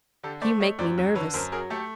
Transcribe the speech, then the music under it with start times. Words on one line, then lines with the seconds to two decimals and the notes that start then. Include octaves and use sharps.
"You make me nervous."
0.23 D3 G4 A4
0.42 A3 C5 D5
0.60 A3 C#5 D#5
0.79 F#2 C5 D5
0.98 F#2
1.15 D3 B4 C#5
1.34 F#2 A#4 C5
1.52 F#3 G#4 A#4
1.70 A3 G4 A4